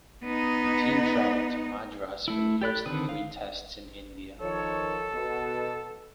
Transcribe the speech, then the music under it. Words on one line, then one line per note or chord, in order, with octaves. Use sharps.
The team travelled to Madras for the first of three Tests in India.
B3 D#4
A3 E4
G4 D5 B5 F#6
D3 D#3 C4 B4 D#6
F5
D#3 F3 A4 C#5
B2